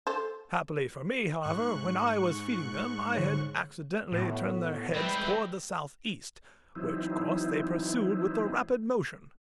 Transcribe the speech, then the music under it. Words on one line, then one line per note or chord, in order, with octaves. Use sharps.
Happily for me, however, when I was feeding them I had accidentally turned their heads towards the south-east, which course they pursued with a rapid motion.
A4 C5
G#2 C#6 F#6
D3 G#4 C#5
A2 B3 F#4
E2 G3 G#3 C4 B4 E5 G5
E3 F#3 C4 D#4 E4